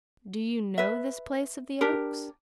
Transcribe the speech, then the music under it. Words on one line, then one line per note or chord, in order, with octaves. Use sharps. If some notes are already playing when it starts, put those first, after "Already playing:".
Do you know this place of the oaks?
B4 E5
D4 G4 A#4